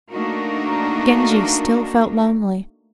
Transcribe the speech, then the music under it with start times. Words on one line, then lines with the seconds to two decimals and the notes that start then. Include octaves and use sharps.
Genji still felt lonely.
0.10 A3 A#3 D4 D#4 F#4 A#4